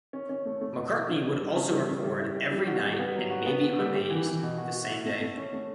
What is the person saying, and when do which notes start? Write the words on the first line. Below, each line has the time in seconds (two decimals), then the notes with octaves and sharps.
McCartney would also record "Every Night" and "Maybe I'm Amazed" the same day.
0.13 C#4
0.29 C#4
0.46 A3
0.61 A3
0.77 B2
0.93 E4
1.09 D4
1.25 D4
1.41 G3
1.56 C#3
1.72 G3
1.88 C#3
2.04 G3
2.19 E4
2.35 G4
2.51 G3
2.67 F#4
2.83 G3
2.99 B3
3.15 F#3
3.30 F#4
3.46 B3
3.62 D3
3.79 G3
3.94 G4
4.10 E3
4.27 E3
4.42 B2
4.57 F#4
4.73 F#4
4.89 E4
5.06 A3
5.21 A3
5.37 C#4
5.53 A3